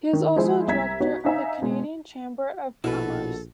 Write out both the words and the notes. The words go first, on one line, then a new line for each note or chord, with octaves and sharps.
He is also a director of the Canadian Chamber of Commerce.
D#3
F3 G#3 E4 G#4 C5
C2 E4 E5 A#5 G#6 B6
B3 D#4 F#4 C#5
D#4 C5 E5 F5 G#5 A#5
B2 G#3
A#1 B2 E4 F#4 A4 B4